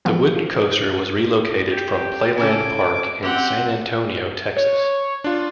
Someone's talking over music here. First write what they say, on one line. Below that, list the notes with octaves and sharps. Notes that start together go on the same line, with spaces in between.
The wooden coaster was relocated from Playland Park in San Antonio, Texas.
E3 F3 B3
G4
C#3 C#4 A4 G#5 D6
F#2 C4 G4 F#5
C#5
D4 F4